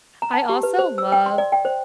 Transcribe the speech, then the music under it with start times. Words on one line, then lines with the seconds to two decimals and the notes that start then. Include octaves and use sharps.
I also love,
0.22 A#5
0.34 A5
0.49 G4
0.63 B4
0.79 C5
0.98 E6
1.12 G5
1.26 C6
1.38 D5
1.52 G5
1.65 C5